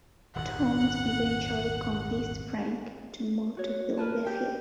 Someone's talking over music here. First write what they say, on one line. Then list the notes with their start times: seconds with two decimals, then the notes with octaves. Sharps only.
Townes eventually convinced Frank to move to Philadelphia.
0.35 D#1 G#1 E2 F#5
3.57 F#4 C#5
3.97 A#4 B4 A5
4.25 G4 G5